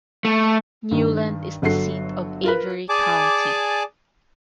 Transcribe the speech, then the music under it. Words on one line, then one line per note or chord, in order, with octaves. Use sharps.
Newland is the seat of Avery County.
A3
G2 D#3
G1 F#3 F#4 A4 C7
F4 A#4 B4
G#4 D5 G#5 A5 D6